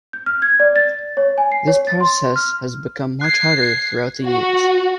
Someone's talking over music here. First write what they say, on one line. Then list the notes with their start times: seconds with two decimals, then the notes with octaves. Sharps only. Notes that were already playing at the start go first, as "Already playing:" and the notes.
This process has become much harder throughout the years.
0.13 G6
0.26 F6
0.42 G#6
0.60 D5
0.76 A6
1.17 C#5
1.38 G#5
1.52 C7
1.67 C#5
1.87 A6
2.01 C6
2.36 F6
3.21 F#6 G#6 C7
4.25 F#4